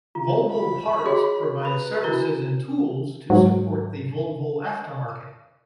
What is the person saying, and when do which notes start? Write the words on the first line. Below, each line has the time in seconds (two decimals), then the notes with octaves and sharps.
Volvo Parts provide services and tools to support the Volvo aftermarket.
0.15 F4
0.50 B5
1.05 F#4 G#4 C#5 D#5 G5 C6
1.62 B4 A#5 B5 F7
2.03 D4 E4 F#4 A#4 G7
3.30 G#2 F#3